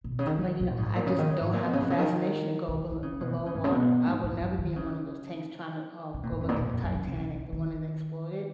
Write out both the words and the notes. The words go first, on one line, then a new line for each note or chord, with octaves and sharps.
But, you know, I just don't have a fascination to go bel below water. I would never be in one of those tanks trying to, uh, go look at the Titanic- the one that exploded.
A#2
B2
C#3
D#3
D#3
A#2
G#2
A#2
C#3
D#3
C#3
G#2
A#2
B2
C#3
B2
C#3
D#3
D#3
D#3
C#3
B2
D#3
C#3
G#2
C#3
B2
G#2
G#2
F#2
D#3
C#3
C#3
A#2
G#2
F2
A#2
A#2
F2
F#2
C#3
C#3
C#3
C#3
D#3